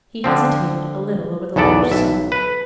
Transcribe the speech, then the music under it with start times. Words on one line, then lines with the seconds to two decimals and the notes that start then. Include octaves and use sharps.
He hesitated a little over the large sous.
0.24 D3 F3 C4
1.56 B1 E2 B3 A4 D5
1.91 B1 E5
2.32 B4